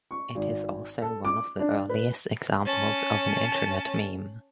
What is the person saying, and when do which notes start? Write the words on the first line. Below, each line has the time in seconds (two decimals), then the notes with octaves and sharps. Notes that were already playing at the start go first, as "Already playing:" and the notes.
It is also one of the earliest examples of an Internet meme.
0.11 C#6
0.35 G#1
1.02 A4
1.25 D6
1.59 D4
1.89 B4
2.65 C#4 A5